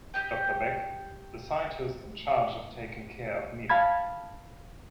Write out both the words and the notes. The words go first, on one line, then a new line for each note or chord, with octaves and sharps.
Doctor Beck: The scientist in charge of taking care of Mila.
G4 D#5 G5
F5 A5 B5 G#6